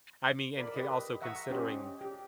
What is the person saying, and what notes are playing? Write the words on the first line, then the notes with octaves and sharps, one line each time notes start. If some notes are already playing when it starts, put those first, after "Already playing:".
I mean and can also considering
A#4 D5 B5
G4 B4 D#5
E5 F#5 A#5 C#6 D#6
C#4 G4 C5 D#5
G4